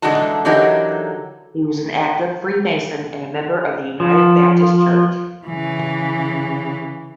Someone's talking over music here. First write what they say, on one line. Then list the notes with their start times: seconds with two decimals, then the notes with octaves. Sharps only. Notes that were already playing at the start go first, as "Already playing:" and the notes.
He was an active Freemason and member of the United Baptist church.
0.02 D3 E3 G#3 D#4 F#4 A5
0.45 D3 E3 F#3 D#4 G4 A#4
4.00 F3
5.47 C#3 E3